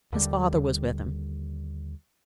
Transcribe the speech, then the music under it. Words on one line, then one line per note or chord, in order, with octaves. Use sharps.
His father was with him.
D#2 D3 G3